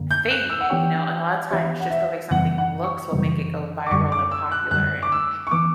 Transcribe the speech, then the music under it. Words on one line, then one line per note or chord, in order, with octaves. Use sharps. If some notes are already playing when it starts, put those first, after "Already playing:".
thing, you know, and a lotta times, just the way something looks will make it go viral and popular, and
Already playing: F#2 D3 A#3
G6
F#6
E6
F#5
E3 B3 D4 G4 C#5 G5
E3 B3 D4 G4 C#5 E5
F#5
E5
F#2 C#3 E3 G3 B3 F#5
F#5
C#6
F#2 C#3 E3 G3 B3
D6
F#2 D3 G3 C#6
D6
E6
F#6
F#2 D3 G3 F#6
D6
E6
C#6
E3 B3 D6